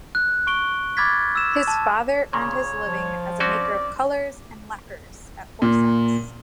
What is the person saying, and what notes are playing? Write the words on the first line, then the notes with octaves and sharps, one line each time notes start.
His father earned his living as a maker of colours and lacquers at Horsens.
F#6
C#6 D7 G7
B5 D6 F6 G#6 A6 B6
E6 E7
A5
A#2 C#3 C#5
F3
C4 C#4 F#4 D5
A#2